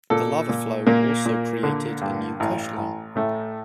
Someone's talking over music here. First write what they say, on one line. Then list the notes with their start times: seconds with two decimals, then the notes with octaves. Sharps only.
The lava flow also created a new coastline.
0.10 A#2 A4
0.49 A#2
0.87 A#2 A#3
1.26 A#2
1.63 D3
2.01 G2
2.40 A1
2.78 A1
3.16 A2 A3